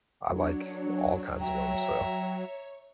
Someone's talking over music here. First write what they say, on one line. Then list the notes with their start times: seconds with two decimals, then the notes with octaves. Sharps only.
I like all kinds of 'em, so,
0.32 F#3 D4 C#5
1.41 C#5 E5 G5 A#5